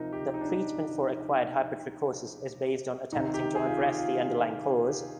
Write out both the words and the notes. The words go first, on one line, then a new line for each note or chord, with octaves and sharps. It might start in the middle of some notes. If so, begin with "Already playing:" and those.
The treatment for acquired hypertrichosis is based on attempting to address the underlying cause.
Already playing: C3 F3 D#4 A#4
G4
D#4
D4
D#4
C3 D#3 D#4
G4
G#4
F4
G4
F4
G4